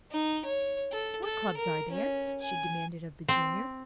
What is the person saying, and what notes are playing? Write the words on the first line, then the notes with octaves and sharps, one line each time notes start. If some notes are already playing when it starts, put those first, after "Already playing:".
"What clubs are there?" she demanded of the Junior.
D#4
C#5
A4
A4
A#4
C#4
G#5
C4